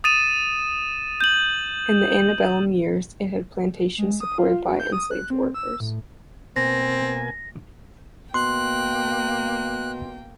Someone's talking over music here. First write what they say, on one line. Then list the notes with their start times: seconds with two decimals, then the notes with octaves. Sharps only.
In the antebellum years it had plantations supported by enslaved workers.
0.04 D#6 A6 D#7 E7
1.21 G6 F#7
3.98 G#3
4.20 D#6
4.38 F4
4.67 F#4
4.80 G6
4.92 D#6
5.11 F#6
5.30 C4
5.54 E6
5.80 A2
6.56 B2 A#3 C4 G#5 A#6
8.34 B2 A#3 G5 C6 F#6